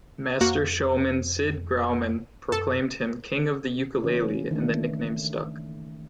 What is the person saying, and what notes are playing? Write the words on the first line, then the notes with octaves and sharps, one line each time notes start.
Master showman Sid Grauman proclaimed him "King of the Ukulele" and the nickname stuck.
F2 A#3 F#4
F#2 A4
C#3 E3 A#3 C#4
D#3 A3 D4